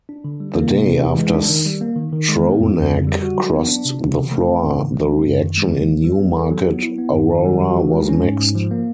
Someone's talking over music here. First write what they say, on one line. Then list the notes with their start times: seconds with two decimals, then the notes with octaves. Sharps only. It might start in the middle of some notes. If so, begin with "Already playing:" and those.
The day after Stronach crossed the floor, the reaction in Newmarket-Aurora was mixed.
0.09 D4
0.24 D3
0.40 G3
0.55 A#3
0.71 C3
0.88 C3
1.03 E3
1.18 G#3
1.34 D4
1.50 D#3
1.66 G3
1.81 A#3
1.96 D#3
2.12 D#3
2.28 G#3
2.44 B3
2.60 F2
2.76 F2
2.91 D3
3.07 G3
3.22 F#4
3.38 F#3
3.53 B3
3.69 D4
3.85 C3
4.00 C3
4.16 E3
4.31 A3
4.47 C4
4.63 A2
4.79 E3
4.94 G#3
5.10 C#4
5.26 F#2
5.42 D#3
5.58 G#3
5.73 E3
5.89 E3
6.04 G3
6.20 B3
6.36 A4
6.51 F#3
6.67 B3
6.83 E4
6.98 B3
7.14 G2
7.29 D#3
7.45 G3
7.61 F#4
7.76 E3
7.93 G#3
8.09 C#4
8.24 G#2
8.39 G#2
8.55 F3
8.71 A#3